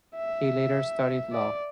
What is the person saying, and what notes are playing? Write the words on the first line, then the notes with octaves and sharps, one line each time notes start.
He later studied Law.
E5
D5